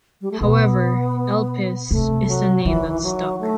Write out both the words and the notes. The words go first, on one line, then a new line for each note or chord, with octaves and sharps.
However, Elpis is the name that stuck.
G3
A3
B2 B3
C3 A3
F#3
D#3 E3
F#3
A3